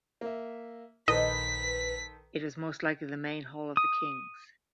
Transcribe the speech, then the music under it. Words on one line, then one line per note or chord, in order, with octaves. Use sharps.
It was most likely the main hall of the kings.
A#3 E5
A#1 D#3 A4 B4 C5 D#5 B6
D#6